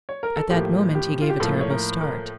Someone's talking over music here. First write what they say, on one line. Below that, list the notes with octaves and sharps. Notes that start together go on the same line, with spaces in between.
At that moment, he gave a terrible start.
C#5
A#4
A4
A2 F3 A#3 G4
G4
F4
G4
A2 F3 A#3 A4
C#5
A#4
A#4